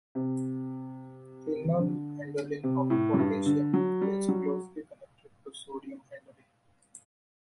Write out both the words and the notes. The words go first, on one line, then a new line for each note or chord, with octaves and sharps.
Renal handling of potassium is closely connected to sodium handling.
C3
D3
C3
A2
F#2
G2
D3
F#3
G3
F#3